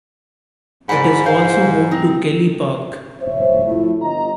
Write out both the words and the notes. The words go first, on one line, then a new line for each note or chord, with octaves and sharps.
It is also home to Kelly Park.
G#2 D5 F#5 B5
C5 F5
C4 D#4
C5 C#5 E5
F3 A3 E4
G1 D#5 A#5